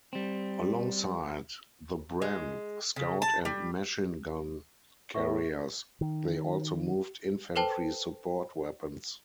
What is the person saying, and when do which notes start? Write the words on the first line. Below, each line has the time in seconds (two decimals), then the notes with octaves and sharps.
Alongside the Bren, Scout and Machine Gun Carriers, they also moved infantry support weapons.
0.13 G3 C4
2.22 G#3
2.96 C#3
3.22 A5
3.45 G3
5.14 A2 B4 E5 C#6
6.01 D#3
7.56 A4 B4 C5 G5 A5